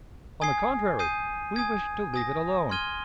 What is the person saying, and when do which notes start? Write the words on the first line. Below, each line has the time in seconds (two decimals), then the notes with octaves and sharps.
On the contrary, we wished to leave it alone.
0.41 G#5 D#6 G#6 C7
0.99 G#5 D#6 G6 C7 D#7
1.56 G#5 D#6 G#6
2.14 G#5 D#6 A#6
2.70 C6 F6 G#6 D#7 G7